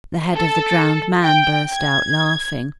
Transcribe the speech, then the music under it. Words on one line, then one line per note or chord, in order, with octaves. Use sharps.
The head of the drowned man burst out laughing.
A4
G5
G#6